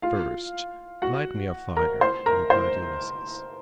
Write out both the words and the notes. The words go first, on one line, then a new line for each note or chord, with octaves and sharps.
"First light me a fire," replied Ulysses.
F4 F5
F#4 F#5
A#4 A#5
C5 C6
A#4 A#5
C5 C6